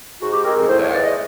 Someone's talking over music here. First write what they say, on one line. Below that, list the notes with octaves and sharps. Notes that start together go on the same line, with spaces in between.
with that.
G#2 F#4
G4
D#3 G#3 C4 A#4
A2 C5
C#5
E3 G#3 D5
D#5